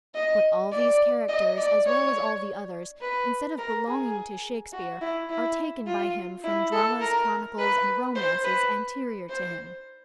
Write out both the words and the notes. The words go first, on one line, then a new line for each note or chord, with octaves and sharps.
But all these characters, as well as all the others, instead of belonging to Shakespeare, are taken by him from dramas, chronicles, and romances anterior to him.
D#5
D5
D#5
D5
C#5
B4
A#4
G#4
F#4
E4
E4
F4
E4
A4
A#4
B4
C5
B4
C5